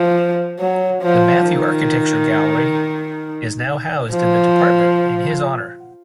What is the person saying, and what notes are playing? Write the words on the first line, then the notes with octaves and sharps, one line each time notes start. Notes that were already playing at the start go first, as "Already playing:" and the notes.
The Matthew Architecture Gallery is now housed in the Department in his honour.
Already playing: F3
F#3
F3
D#3
F3